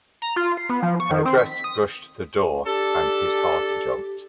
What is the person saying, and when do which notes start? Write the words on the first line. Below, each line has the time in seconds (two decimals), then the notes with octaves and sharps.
Her dress brushed the door, and his heart jumped.
0.22 A#5
0.36 F4
0.57 C7
0.70 B3
0.82 F3
1.00 C#6
1.11 D#3
1.25 C4
1.38 B6
1.51 B6
1.64 D#6
2.66 D4 G4 A4